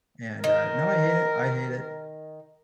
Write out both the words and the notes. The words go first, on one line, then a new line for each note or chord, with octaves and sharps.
And, uh, now I hate it, I hate it.
D#3 A#4